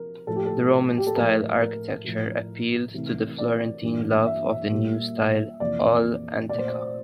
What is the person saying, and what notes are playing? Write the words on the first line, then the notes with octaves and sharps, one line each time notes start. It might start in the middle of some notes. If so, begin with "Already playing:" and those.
The Roman-style architecture appealed to the Florentine love of the new style "all'antica".
Already playing: C3 F3 A#4
A2 F3 A3 A4
G4
A4
G4
A4
A2 F3 A3 A#4
A#4
A2 F3 A3
C3 E3 A3
D5
G2 E3 A#3
E5
A#2 G3 A#3
F2 C3 E3 A#3 D5
A#2 A3 D5
C5
D5